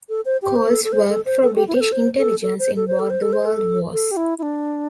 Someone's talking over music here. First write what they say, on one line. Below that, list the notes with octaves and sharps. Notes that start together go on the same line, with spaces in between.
Coles worked for British Intelligence in both the World Wars.
A4
C5
G4
C5
A4
A4
C5
A4
C5
A4
G4
E4
C5
A4
C5
A4
A4
C5
A4
C5
A4
C5
A4
C5
A4
A4
G4
E4
E4
D4